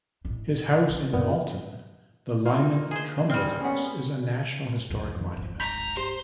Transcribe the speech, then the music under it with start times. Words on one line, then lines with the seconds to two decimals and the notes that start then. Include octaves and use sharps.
His house in Alton, the Lyman Trumbull House, is a National Historic Monument.
0.25 A2 D#4
0.90 D3
1.13 F#2 A#2 B3
2.45 A#3 D#4 F4
2.91 G#4 C5
3.30 G3 C4 G#4 F6
3.61 A#3 B3 C#4 G#4 F#5 B5
4.90 C2 F2
5.16 F2 D#3
5.34 D1 G#1 G#2
5.60 F2 A#5 G6 B6 F7
5.97 G4 C5